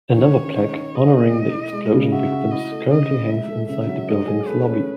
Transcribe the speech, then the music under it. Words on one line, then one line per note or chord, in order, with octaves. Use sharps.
Another plaque honoring the explosion victims currently hangs inside the building's lobby.
D#3 C#5
C#4
D#4 C#5
D#4
G#4 D#5
B2
A3
E4
G#3
C#3
F#4 E5
F#4
E4 D#5
A3
C#3 D#5
C#3
G#3 E5
A4
C#3 E5
F#3
A3 D#5
G#4
A3 B4
C#4